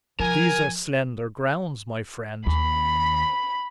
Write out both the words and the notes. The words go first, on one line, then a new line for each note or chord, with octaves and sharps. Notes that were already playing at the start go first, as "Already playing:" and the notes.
'These are slender grounds, my friend.'
F3 A#4 G#5
D#2 B5